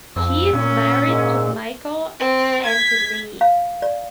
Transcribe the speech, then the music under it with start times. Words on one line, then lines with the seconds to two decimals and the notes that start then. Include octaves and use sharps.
She is married to Michael Anteney.
0.16 F2 E6
0.53 A#2 C#4
1.05 G#2 G#3 A#3
2.19 C4
2.66 G#6 B6
3.41 F5
3.82 D5